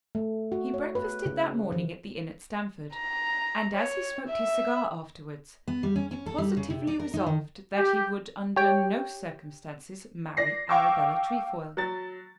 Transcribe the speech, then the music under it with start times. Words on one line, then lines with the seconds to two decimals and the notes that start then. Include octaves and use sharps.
He breakfasted that morning at the inn at Stamford, and as he smoked his cigar afterwards, he positively resolved that he would under no circumstances marry Arabella Trefoil.
0.15 A3
0.52 F#4
0.74 C#5
0.95 B4
1.26 C#3
1.72 F3
2.94 A#5
3.74 C#5
4.28 E5
5.68 B3
5.83 G3
5.96 C#4
6.11 C#4
6.26 A4
6.38 G3
6.57 C#3
6.70 C3
6.87 D5
7.00 A#4
7.14 D#4
7.27 D#3
7.77 G4
8.56 G4 C#5 G5
10.37 D5 A#6 C7
10.69 F5 G5 C#6 D6 E6
11.77 F#3 A6